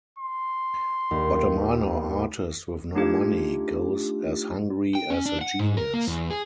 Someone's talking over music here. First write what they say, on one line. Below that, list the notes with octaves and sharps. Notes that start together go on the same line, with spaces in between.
But a minor artist with no money goes as hungry as a genius.
C6
D#2
A3 D4 D#4 F4 G4
G5
C#4
D4
F#5
G#2
A#4
A#3
E2
G#4